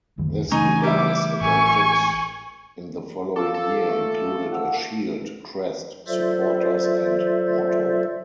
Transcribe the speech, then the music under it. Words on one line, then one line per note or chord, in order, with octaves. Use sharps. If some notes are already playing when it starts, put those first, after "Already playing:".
This device, adopted in the following year, included a shield, crest, supporters and motto.
C#2 F#2 D#3
C#3 E3 A3 D#4 G#5 A#5 C#6
G3 E4 D6
A1 G#5 C#6
F4 A4 A5 D6
A4
A3
F#5 E6
F#3 F4 A4 C5 D5 E5